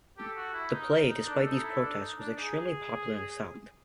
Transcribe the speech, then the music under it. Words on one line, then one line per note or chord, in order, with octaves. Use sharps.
The play, despite these protests, was extremely popular in the South.
G4 A4
F#4
E4
D#4 A#4
D#4
D4 A4
D#4
E4
D4
D#4
D4
D#4 G#4